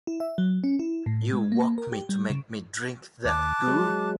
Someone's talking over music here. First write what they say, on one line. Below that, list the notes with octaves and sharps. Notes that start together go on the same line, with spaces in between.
You woke me to make me drink that goo.
E4
E5
F#3
C#4
E4
A2
G#3
A#3
A#4
G4
G3
C#3
D#2 A5 D6 F#6
F#3 G#3